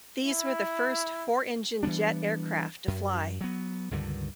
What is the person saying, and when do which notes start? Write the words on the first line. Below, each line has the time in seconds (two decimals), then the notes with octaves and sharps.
These were the first four-engine jet aircraft to fly.
0.24 E4
1.83 E3 G3 B3 D4
2.88 F#2
3.41 F#3 B3
3.91 C#2 G2 D3 D#3